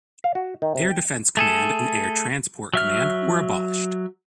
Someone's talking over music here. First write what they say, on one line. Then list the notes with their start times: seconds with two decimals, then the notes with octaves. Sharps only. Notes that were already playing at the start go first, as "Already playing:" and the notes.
Air Defence Command and Air Transport Command were abolished.
0.24 F5
0.35 F#4
0.62 D#3
0.75 C3
0.90 G5
1.37 A3 G#4 A4
2.74 F#3 E5 F6